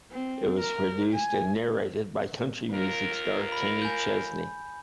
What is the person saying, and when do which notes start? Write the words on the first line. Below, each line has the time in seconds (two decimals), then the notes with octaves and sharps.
It was produced and narrated by country music star Kenny Chesney.
0.11 C4
0.60 A#4
1.13 G#5
2.71 D#2 F4 A#4
3.52 B5
3.82 G#5 G6